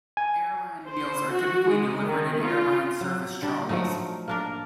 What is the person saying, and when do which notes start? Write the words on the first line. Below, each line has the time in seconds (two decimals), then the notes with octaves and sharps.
Airline meals are typically delivered in Airline service trolleys.
0.17 G#5
0.87 C5
1.31 F#4
1.69 G#3
2.04 D#3
2.42 F4
3.01 F#3
3.42 D3 G3 D4
3.69 F3 F#3 A3 D#4
4.28 A#3 D4 A#4